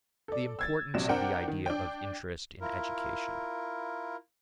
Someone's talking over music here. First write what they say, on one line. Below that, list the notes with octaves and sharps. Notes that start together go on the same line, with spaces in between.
The Importance of the Idea of Interest in Education.
A4 D5
E6 G#6 A6
A#1 C3 F#3 E7
C4 D4 A#4 F#5 G5
D#3
D4 G5
E4 F4 A#4